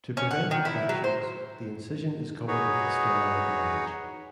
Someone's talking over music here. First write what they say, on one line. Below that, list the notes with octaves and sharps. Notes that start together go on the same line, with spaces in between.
To prevent infections, the incision is covered with a sterile bandage.
C#4
F#5
D#3
E4
F#3
C5
D#4 F#4 G#4 B4 C#5